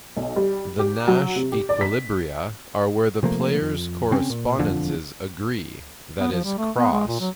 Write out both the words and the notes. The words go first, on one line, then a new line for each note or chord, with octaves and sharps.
The Nash equilibria are where the players' correspondences agree, that is, cross.
B1
G3
G4
F#3
C3
G4
D5
B6
C3 F3 A3 A#3
F2
C#3 C4 C#4
A#2
E1 F2 D3 F3
B3
F3
G3
A3
B3
G#3
A#2
F#3